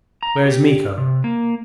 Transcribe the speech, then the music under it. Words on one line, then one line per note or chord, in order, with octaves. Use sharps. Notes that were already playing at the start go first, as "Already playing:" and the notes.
"Where is Miko?"
A#5
G4
C3
A#3